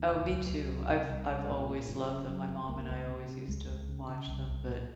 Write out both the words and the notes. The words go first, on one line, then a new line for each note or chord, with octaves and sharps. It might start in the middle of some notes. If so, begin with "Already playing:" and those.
Oh, me too. I've I've always loved them, my mom and I always used to watch them, but
Already playing: D#2
F1
C#2 F#3
C#2
C3
C3
C2
C2
A#2
A#2
F#1
C#3
F#2
F#1
C#2 A#3
C#2
C3
C3
C#2 G#3
C#2
C#3
C#3
C2
C2
A#2